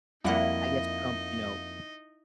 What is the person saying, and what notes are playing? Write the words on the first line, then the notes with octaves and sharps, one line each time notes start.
I guess Trump, you know,
F2 G3 A#3 D#4 E4 D#5 F#5